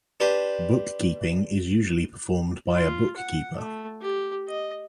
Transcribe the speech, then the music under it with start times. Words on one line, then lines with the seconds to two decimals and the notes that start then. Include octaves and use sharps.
Bookkeeping is usually performed by a bookkeeper.
0.20 D4 G4 B4 C5
2.74 F4
3.17 F#5
3.57 A3
4.02 G4
4.48 D#5